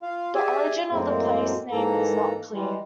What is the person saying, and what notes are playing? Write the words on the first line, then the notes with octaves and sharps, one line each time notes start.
The origin of the place-name is not clear.
F4 F5
G4 G#4 D5 E5 G#5
F#2 A2 G#3 A#3 C4
G#2 E3 A#3 A4 A#5
E3 G3 G#3